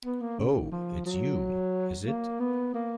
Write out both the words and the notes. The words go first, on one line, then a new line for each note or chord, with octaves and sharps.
Oh, it's you, is it?
B3
A#3
C#3
D#3
F3
F#3
A#3
B3
A#3